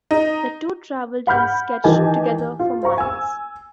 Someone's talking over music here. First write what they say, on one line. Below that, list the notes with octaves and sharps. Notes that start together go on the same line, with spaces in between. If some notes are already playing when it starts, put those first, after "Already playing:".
The two travelled and sketched together for months.
D#4
F#5 B5 F6 G6
D#3 E3 G4 D#5 G#5 A5
F4
C5 F5 A#5 C#6
G#5 E6